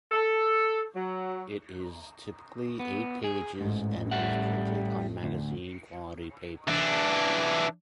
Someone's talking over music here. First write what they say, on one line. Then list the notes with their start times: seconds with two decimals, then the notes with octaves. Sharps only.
It is typically eight pages and is printed on magazine quality paper.
0.12 A4
0.95 F#3
2.80 B3
3.24 G#4
3.61 A1 G#2
4.11 G3 E5 F#5
5.23 D2
6.68 E3 D4